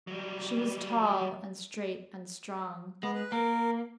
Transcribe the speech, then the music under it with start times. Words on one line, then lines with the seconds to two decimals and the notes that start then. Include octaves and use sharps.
She was tall and straight and strong.
0.07 F#3 G3
3.03 G#3 B3
3.15 B4
3.32 A#3 A#4